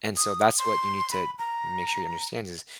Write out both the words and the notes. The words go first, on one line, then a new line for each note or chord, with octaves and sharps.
And so that's what you need to make sure you understand is
D#6
C6
B5
A#5